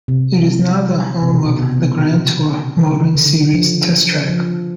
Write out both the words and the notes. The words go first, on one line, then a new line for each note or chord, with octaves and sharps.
It is now the home of "The Grand Tour" motoring series' test track.
C3
C3
B2
B2
C3
C3
C#3
C#3
D3
F3
F3